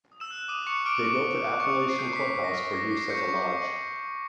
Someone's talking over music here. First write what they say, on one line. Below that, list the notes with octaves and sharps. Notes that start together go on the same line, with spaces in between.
They built the Appalachian Clubhouse for use as a lodge.
D#6
E6 E7
F#6
D6 D#6 D#7
C#6 D6 C#7
D6 F6 D7
C#6 D6 D7
C#6
F#6
C#6 D#6 C#7
D#6
C7
G6
C7
D6 B6
D6
A#6
F6
D6 A#6
D6 C7
C#6 G6 C#7
C#6 C#7